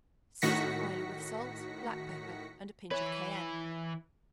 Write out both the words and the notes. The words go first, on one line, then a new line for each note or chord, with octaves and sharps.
Season highly with salt, black pepper and a pinch of cayenne.
A2 D#3 F#4 A#6 B6 C#7
E3 B4 C#5